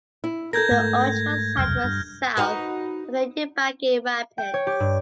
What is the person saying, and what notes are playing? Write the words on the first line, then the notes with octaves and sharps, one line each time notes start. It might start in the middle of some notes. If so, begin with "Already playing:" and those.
The original site was south of the Ubangi rapids.
E4
A4 A#4 G6 G#6 A#6
G#2 A3
E1 C2 F#2 F6
G2
D#4 F#4 B4
G5
C#5
G4
G2